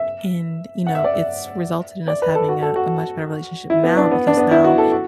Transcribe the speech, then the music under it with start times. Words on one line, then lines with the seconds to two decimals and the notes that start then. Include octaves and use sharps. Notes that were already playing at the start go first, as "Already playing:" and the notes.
and, you know, it's resulted in us having a a much better relationship now because now
Already playing: E5
0.87 F#5
0.95 E5
1.04 D5
1.14 E5
2.08 D5
2.22 B4
2.35 A4
2.49 F#4
2.62 A4
2.76 F#4
3.70 E4
3.84 B3
3.97 D4
4.11 B3
4.27 D4
4.37 B3
4.51 E4
4.64 F#4
4.78 A4
4.92 F#4